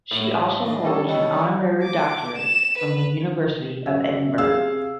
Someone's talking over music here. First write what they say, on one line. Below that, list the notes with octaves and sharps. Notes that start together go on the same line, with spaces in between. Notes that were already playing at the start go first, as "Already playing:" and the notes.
She also holds an honorary doctorate from the University of Edinburgh.
A2 F#3 E4 E5
C5 C#5
D#3 D4 D#5
G3 C#4 A4
D#3 B3 D#5 G5
D5 E5
D6
E7
B4
F#2 E5
G#4 F5 E6
C3